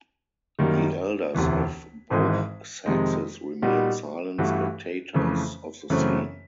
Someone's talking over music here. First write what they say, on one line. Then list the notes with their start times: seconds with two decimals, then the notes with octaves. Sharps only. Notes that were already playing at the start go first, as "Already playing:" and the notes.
The elders of both sexes remained silent spectators of the scene.
0.59 F#2 D#3 G3 A#3
1.35 E1 D2 C3 E3
2.11 G#1 G#2 E3 G#3 C4
2.86 F2 C3 D#3 G#3
3.62 A#2 G3 B3 D#4 F#4
4.38 G2 E3 A3 C#4 F#4
5.14 F2 C#3 E3 A3
5.90 F#2 C#3 E3 A3 C4